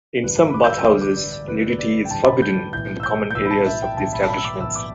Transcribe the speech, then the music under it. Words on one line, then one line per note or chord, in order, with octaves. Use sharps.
In some bathhouses nudity is forbidden in the common areas of the establishments.
A1 G2 D3 B4
B5
D6
G6
E6
A1 G2 D3 D6
D6
D5
D5
A1 G2 D3 B4
B4
D5
G5
A1 G2 D3 A5
B5
G6
B1 A2 E3 G6
E6
G6
G6
B1 A2 E3 E6
B5
A5
E5
G5
B1 A2 E3 A5
B5
A5
B5
E6
D6
B1 A2 E3 E6
D6